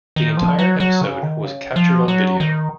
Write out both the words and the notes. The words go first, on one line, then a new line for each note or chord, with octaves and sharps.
The entire episode was captured on video.
D#3
F3
F#3
F#3
C#3
D#3
C#3
F3
F#3
D#3